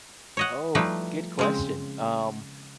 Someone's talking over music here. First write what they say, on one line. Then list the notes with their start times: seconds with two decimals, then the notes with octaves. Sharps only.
Oh, good question, um,
0.37 C#5 D#5 F#5
0.75 F3 G3 A3 D#4 E4 B4
1.39 C#3 G#3 C4